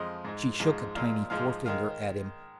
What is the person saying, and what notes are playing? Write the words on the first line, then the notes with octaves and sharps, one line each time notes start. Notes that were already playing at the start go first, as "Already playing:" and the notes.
She shook a tiny forefinger at him.
Already playing: F2 F3 G#3 D#5
G#2 G#3
G#2 F3 G#3
A#2 F3 G#3 F5
G#2 F3 G#3 F5
D#3 G#3 F5